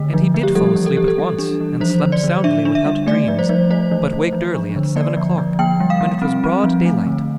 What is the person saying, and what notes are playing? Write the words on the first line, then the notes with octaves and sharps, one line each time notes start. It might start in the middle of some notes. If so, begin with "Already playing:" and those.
And he did fall asleep at once, and slept soundly without dreams, but waked early, at seven o'clock, when it was broad daylight.
Already playing: D3 A3
F3
F3
G4
G3 A4
E3
A4
E3 G4
A4
G3
D4
E3
F3 C5
D3
D5
D3
D4 E5
D4
E5
G3
A3 D5
F3
C5
F3
A3 C5
E3
E3
F3
D4
D3
A#3 D5
F3
F3
A#3 G5
G3
F5
G3
C4
C4
F3
A3
D3